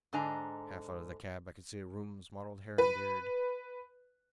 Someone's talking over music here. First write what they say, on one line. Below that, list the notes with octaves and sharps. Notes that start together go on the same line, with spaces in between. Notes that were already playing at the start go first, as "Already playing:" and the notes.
Half out of the cab I could see Rooum's mottled hair and beard.
G#2 D3 D4 D#5 G#5 A#5
B4